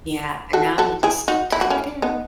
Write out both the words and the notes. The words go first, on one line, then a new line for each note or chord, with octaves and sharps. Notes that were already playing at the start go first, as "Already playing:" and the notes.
Yeah, and now you just type it in.
F#4 A4
F#4 A4
E4 G#4
D#4 F#4
E4
F#4
C#4 E4
B3 D#4